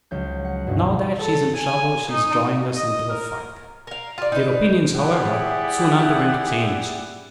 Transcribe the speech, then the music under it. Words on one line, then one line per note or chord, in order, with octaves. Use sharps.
"Now that she is in trouble she is drawing us into the fight." Their opinions, however, soon underwent a change.
C#2 F#3 G6
F#5
F#1 C#2 G2 B2
A4
G#5
D#4
D#5
A#4
A#4 F5
F4 D5
D#4 B4
E4 G4 G#4 D5 E5 F#5